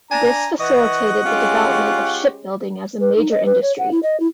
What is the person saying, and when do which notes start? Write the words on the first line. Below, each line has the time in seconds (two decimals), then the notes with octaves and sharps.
This facilitated the development of shipbuilding as a major industry.
0.11 D4 G#5 A#5
0.60 E3 D#5 F#5 C#6
1.25 G#3 C#4 F4 G4
3.00 B4
3.16 D#4
3.31 D#5
3.45 B4
3.62 C#5
3.78 F#5
3.91 E4
4.02 D#5
4.20 E4